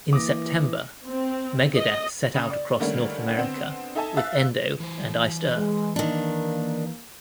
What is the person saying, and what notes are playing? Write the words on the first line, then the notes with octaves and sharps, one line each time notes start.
In September, Megadeth set out across North America with Endo and Iced Earth.
E3 A#3 D6 D#6 A#6
C4
D#5
C#3 D#6
D5
D3 D#3 G3 A3 A#3 C#4
D3 B3 C4
D#4 A4 E5 G#5 A5
E5 F5 F#6 A6
E3 C5
G#3
D#3 A#3 D4